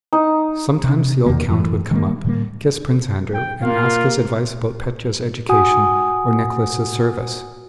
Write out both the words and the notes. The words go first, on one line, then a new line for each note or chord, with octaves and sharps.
Sometimes the old count would come up, kiss Prince Andrew, and ask his advice about Petya's education or Nicholas' service.
D#4
C3
E2 D#3 A#3
F#2 E3 G#3 A3
D#3 G3 A3 A#3
A2 D3 G3 A#3
G5
A#3 F4 F5
F#4 F#5 G#5 D#6